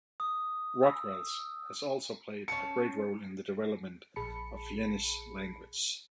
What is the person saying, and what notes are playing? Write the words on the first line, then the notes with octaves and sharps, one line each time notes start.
"Rotwelsch" has also played a great role in the development of the Yeniche language.
D#6
E6
C#4 A5 C#7
A#1 G#4 A5 B5 C#7